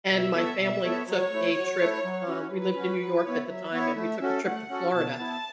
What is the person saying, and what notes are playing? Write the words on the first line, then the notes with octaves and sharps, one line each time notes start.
and my family took a trip. Um, we lived in New York at the time and we took a trip to Florida,
B2 E5
B3 A4 C#5
B2
B3 A4 C#5
F#3 C#5
A3 E4
F#3
A3 E4
F#3
C#4 F#4
F#3 B4
C#4 F#4
F#3
B3 E4 C#5
F#3 E5
B3 E4 C#5
A3
C#4 F#4 A4
A3 F#5
C#4 F#4 A4
B2 A5
B3 E4